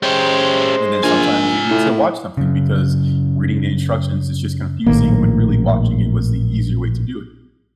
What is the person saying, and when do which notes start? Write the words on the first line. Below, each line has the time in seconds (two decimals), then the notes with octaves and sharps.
and then sometimes you need to watch something because reading the instructions is just confusing when really watching it was the easier way to do it.
0.03 G#3 C#4 G4 C5
1.03 A#1 F4 G#5
1.70 A2
2.37 F#2 C#3
4.86 A#1 A2 D#3 A#3